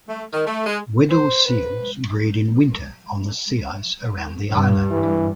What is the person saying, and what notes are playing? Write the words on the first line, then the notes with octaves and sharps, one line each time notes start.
Weddell seals breed in winter on the sea ice around the island.
A3
D#3
A3
G#3
C5
B4
G2
E3